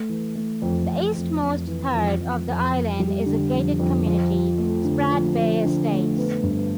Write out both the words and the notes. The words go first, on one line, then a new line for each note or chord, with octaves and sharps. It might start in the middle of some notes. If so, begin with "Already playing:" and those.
The eastmost third of the island is a gated community, Sprat Bay Estates.
Already playing: A3
E3
A3
F2
F2
F2
F2
E3
F2
F2
F2
F2
G3
D3
F2
F2
F3
F3
A3
D3
F3
F3
D3
A3
B3
G2